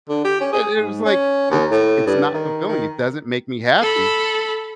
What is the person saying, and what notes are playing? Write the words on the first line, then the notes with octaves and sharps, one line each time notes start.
and it was like, "It's it's not fulfilling, it doesn't make me happy."
D3
G4
C#4
G#4
G#2
C#4
D#2
A2
G2
D#3
D#3
A4 B5